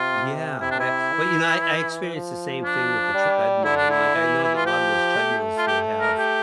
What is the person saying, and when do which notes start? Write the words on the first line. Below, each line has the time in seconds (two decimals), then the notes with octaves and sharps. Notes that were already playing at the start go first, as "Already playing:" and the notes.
Yeah, that Well, you know, I I experienced the same thing with the treadmill, you know, like, I know that a lot of those treadmills will have,
Already playing: C3 F4
0.61 C3 E4
0.71 D4
0.80 E4
1.12 E3
2.14 F3
2.63 D4
3.14 G3
3.65 D3 E4
3.77 D4
3.90 E4
4.16 E3
4.44 E4
4.55 F4
4.66 F3 G4
5.17 A3
5.58 F4
5.67 G4
6.01 A#4
6.18 G4